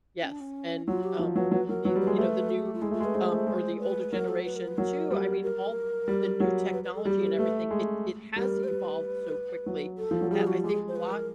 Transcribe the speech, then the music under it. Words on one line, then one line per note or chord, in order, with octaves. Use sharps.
yes, and, um, y you know, the new, um, or the older generation too, I mean, all the new technology and everything, it it has evolved so quickly that I think a lot,
C#4
D4
C#4
F#3 F4
G4
F3
F#3 B4
F#3 B4
F#3 A#4
F#3 B4
G3
B4
G#3
A3 B4
A4
G#4
G4
F4
G#3 E4
A3 F4
G#3
B4
G#3 C5
A3
G#3
B4
F#3 A#4
A4
B4
A#4
B4
F#3 A#4
G3
A#4
G3
F#3
B4
B4
A4
G3 G#4
G4
G#4
A#4
A3 B4
G#3
G3 A#4
C5
B4
F#3
A4
F3
F#3
G3 G#4
F#4
G#3 G4
G#4
C5
B4
A#4